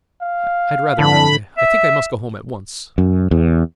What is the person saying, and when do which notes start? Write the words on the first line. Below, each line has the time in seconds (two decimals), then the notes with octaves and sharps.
"I'd rather not--I think I must go home at once."
0.22 F5
0.99 F2 D3 E3 A5 B5
1.58 E5
2.98 F#2
3.31 E2